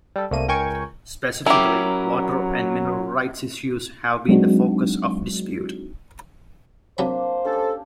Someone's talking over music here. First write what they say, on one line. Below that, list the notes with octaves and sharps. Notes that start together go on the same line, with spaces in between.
Specifically, water and mineral rights issues have been the focus of dispute.
G3 A4
C2 A3 A#3 D#7
C#2 A#4 G5 G#5 C#6 G#6
F#3 C#4 E4 G4 A#4
F#3 G#3 C4 D4 D#4 F#4
C3 F#3 A#3 D4 C5 B5
C#4 D4 G4 A4